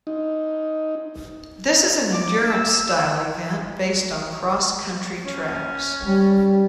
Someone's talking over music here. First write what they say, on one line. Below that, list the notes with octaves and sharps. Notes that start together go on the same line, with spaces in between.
This is an endurance style event based on cross country tracks.
D#4
D6
E6
C#4
G3